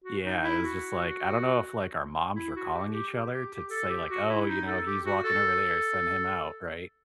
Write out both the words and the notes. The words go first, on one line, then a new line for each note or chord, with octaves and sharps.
Yeah, it was just like, I don't know if, like, our moms were calling each other to t say, like, "Oh, you know, he's walking over there. Send him out." Right?
F#4
D#4
E4
F#4
E4
F#4
G4
G4
G4
G4
G4
A4
G4
F#4
E4
D#4
A4
G4
F#4
A4